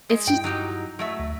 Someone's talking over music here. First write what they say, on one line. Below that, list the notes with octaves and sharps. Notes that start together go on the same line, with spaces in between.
it's just
G#3
G2 E4 G5
F#3 D#4 G4
F#3 A3 E5
D2